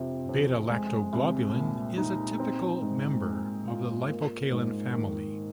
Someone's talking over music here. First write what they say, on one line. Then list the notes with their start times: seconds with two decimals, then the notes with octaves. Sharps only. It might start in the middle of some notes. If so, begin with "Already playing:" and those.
Beta-lactoglobulin is a typical member of the lipocalin family.
Already playing: F2 C3 F3
0.29 F2
0.70 G#3
1.13 C2
1.56 A#2
1.98 D#4
2.39 C4
2.82 G#2
3.25 G#3
3.67 F4
4.09 A#3
4.52 G#2
4.94 D#3